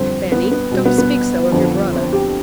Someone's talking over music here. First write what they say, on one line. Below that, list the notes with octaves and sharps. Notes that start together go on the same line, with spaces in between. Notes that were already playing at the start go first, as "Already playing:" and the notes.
'Fanny, don't speak so of your brother.
Already playing: F2 D3 G3 C4
B3
B3
B2 G3
B3
B3
F2 D3 F3
C4
G4